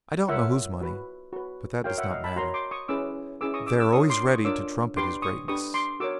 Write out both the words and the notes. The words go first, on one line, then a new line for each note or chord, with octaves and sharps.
I don't know whose money--but that does not matter. They are always ready to trumpet his greatness.
F4 A#4 C#5 E5 F#5
F#4 B4
F#4 B4
F#4 A#4 C#5 F5 G5
E5 F#5
D#5 F5
A5 B5
F#4 A#4 C#5 A#5 C6
C6 D6
C#6 D#6
C#4 E4 G#4 B4 D6 E6
C#4 E4 G#4 B4 D6 E6
C#6 D#6
D6 E6
D6 E6
D4 F4 A#4 C#5 C#6 D#6
C6 D6
C#6 D#6
D4 F4 A#4 C#5 D6 E6
D4 G4 B4 C6 D6
C#6 D#6
D4 G4 B4 C#6 D#6
C6 D6
F#4 A#4 C#5 D6 E6